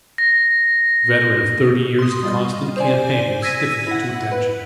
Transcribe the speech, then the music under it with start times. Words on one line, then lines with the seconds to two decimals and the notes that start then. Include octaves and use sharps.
The veteran of thirty years of constant campaigning stiffened to attention.
0.18 A#6
1.99 C6 D#6
2.23 G3 F4 D#5
2.77 C5 D5 G#5
3.42 E6 G#6 A#6 B6 D#7
3.87 E4 F#5
4.31 B4